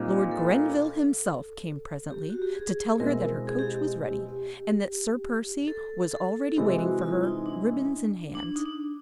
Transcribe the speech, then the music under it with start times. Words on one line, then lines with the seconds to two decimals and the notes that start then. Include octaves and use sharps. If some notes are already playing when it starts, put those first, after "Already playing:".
Lord Grenville himself came presently to tell her that her coach was ready, and that Sir Percy was already waiting for her--ribbons in hand.
Already playing: A#2 G3 C4 D#4
0.31 A4
2.10 G4
2.30 F#4
2.42 G4
2.55 G#4
3.00 B2 G#3 C4 E4 A#4
3.47 G#4
3.59 G4
5.68 A4
6.11 A4
6.57 C3 E3 G#3 C4 E4 G4
6.78 F#4
7.02 F4
7.23 D#4
7.46 D4
8.35 D4
8.56 D#4
8.65 D4